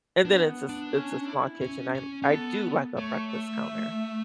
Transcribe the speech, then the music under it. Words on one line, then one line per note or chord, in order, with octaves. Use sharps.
and then it's a s it's a small kitchen. I li I do like a breakfast counter.
B3 D4
D4
C#4
E4
C#4
C#4
C#4
B3 A4
A3 C#5
E5